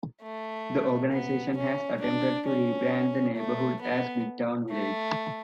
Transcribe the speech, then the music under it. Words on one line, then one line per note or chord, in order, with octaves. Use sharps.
The organization has attempted to re-brand the neighborhood as Midtown Village.
A3
B3
C#4
D4
C#4
A3
B3
A3